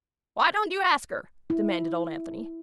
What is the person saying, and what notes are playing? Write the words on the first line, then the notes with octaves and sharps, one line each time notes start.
"Why don't you ask her?" demanded old Anthony.
E4